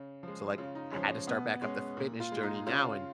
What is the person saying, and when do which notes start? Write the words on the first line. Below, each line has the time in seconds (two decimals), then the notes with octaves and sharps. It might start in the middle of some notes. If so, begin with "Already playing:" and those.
so like I had to start back up the fitness journey now and
Already playing: C#3
0.23 F3 G#3
0.58 C#3 F4
0.75 D#4
0.92 F3 G#3 C#4
1.27 B2 B3
1.62 G#3 C#4
1.97 A#2
2.20 F4
2.32 G#3
2.43 D#4
2.66 C#3 F4